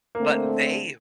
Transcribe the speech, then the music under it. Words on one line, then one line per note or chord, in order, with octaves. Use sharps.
but they
D3 A3 A#3 C4